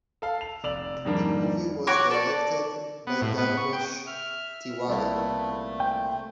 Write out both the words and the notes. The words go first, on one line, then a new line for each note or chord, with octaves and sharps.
The movie was directed by Dharmesh Tiwari.
A4 F5
F7
F1 D5 E6 F7 F#7
F2 G#2 D#3 G3 A#3 D4
F#4 C#5 D6
A4 D5
B3
A2
B3
C#6
G5
E5 F6
C2 A#2 A3 B3 E4 A4
C5 G5